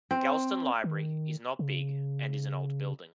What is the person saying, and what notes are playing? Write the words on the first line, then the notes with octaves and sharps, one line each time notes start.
Galston Library is not big and is an old building.
C4
D#3
C#3